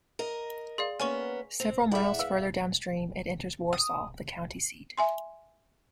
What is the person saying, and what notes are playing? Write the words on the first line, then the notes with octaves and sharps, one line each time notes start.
Several miles further downstream it enters Warsaw, the county seat.
A#4 D#5
G#4 D5 F5 C6
A#3 B3 C#4 B4 G#5 C#6
C4 F7
E4 G#4 D5 E5 F#5
B4 F5 E6
D#6
E5 G#5 C6